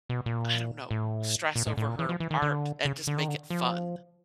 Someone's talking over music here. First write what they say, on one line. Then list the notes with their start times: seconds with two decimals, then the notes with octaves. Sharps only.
I don't know, stress over her art and just make it fun.
0.09 B2
0.26 A#2
0.91 A2
1.56 A#2
1.67 A2
1.77 A2
1.88 A#2
1.99 E3
2.09 F3
2.20 E3
2.31 D#3
2.42 D3
2.85 C#3
3.07 D3
3.18 D#3
3.28 D3
3.50 F3